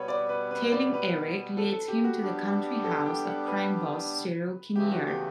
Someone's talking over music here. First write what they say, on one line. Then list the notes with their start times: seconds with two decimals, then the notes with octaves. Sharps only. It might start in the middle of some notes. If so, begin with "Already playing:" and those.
Tailing Eric leads him to the country house of crime boss Cyril Kinnear.
Already playing: B2 G3 B3 B4 C#5
0.08 D5
0.29 B4
0.51 B4
0.72 D5
0.94 B4
1.57 A4
1.72 A4
1.88 G4
2.04 F#4
2.20 G3 B3 D4 G4
2.84 A4
3.06 G5
3.27 F#5
3.47 B4
4.75 E2 C#3 E3 A3 G4
4.91 F#4
5.07 G4